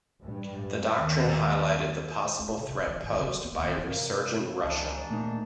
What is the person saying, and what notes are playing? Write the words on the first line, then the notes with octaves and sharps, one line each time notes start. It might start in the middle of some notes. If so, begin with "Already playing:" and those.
The doctrine highlighted the possible threat posed by a resurgent Russia.
G2
D#2
F4
C3
E4
E3
G#1
C#3
F#3
B3
D#2
E3
G2 C3 E3 A#4 C#5 F5
C#2 G#2 E3 D4
A#2 A3 A#3 D#4